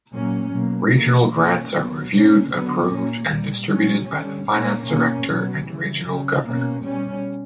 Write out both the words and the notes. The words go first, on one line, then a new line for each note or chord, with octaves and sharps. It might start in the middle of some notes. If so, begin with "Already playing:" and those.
Regional grants are reviewed, approved, and distributed by the Finance Director and Regional Governors.
A#2 F#3 A#3 C#4
B2 F#3 A#3
C#3 E3 A#3
B2 A#3 C#4
C#3 F#3 B3
B2 A#3 C#4
D3 F#3 B3
A#2 A#3 C#4
A#2 G3 A#3
A#2 F#3 C#4
D3 G3 C#4
A#2 A#3 C#4
B2 A#3 C#4
B2 F#3 B3
C#3 E3 G3
C#3 F#3 C#4
B2 A#3 C#4
B2 G3 C#4